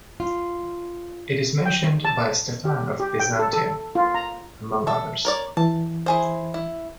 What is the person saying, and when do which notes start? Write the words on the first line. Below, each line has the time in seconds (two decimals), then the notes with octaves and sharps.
It is mentioned by Stephan of Byzantium, among others.
0.20 F4
1.66 G5
2.05 A5
2.65 G4
3.00 G4
3.20 G5
3.39 A4
3.53 A4
3.95 F4
4.14 A#5
4.87 A4 E5
5.25 A#4 C#5 D5
5.57 E3 A5
6.06 E4 G#4 C5
6.54 E4